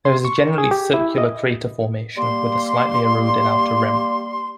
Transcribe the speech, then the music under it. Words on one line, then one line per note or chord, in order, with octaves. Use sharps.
This is a generally circular crater formation with a slightly eroded outer rim.
C6
C#6
G#4
G4
E4
D#5
G3 A#3 C6